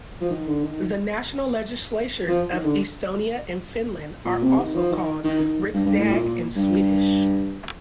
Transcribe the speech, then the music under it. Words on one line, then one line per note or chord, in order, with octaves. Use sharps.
The national legislatures of Estonia and Finland are also called Riksdag in Swedish.
F3
D#3
D3
D#3
F3
D#3
D3
A#2
C3
D#3
F3
D#3
D#3
D#3
G2
G2
A2
A#2
A#2
G2